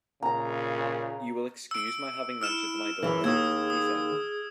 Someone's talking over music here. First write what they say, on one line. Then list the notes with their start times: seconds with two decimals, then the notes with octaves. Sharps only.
"You will excuse my having mentioned my daughters," he said.
0.23 A#2 C#3 A#5
1.71 E6 D7
2.42 E4 E6 F6 E7
3.03 F#2 E3 G#4
3.24 D#2 D#6 E6 G#6
3.70 D#6